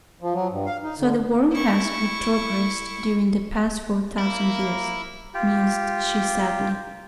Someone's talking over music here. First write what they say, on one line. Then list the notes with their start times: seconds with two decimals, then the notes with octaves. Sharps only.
"So the world has retrogressed during the past four thousand years," mused she sadly.
0.21 F3
0.34 F#3
0.51 G2
0.66 F5
0.84 D#4
0.99 D3
1.51 E4 C#6
4.18 A#3 E4
5.34 F4 G4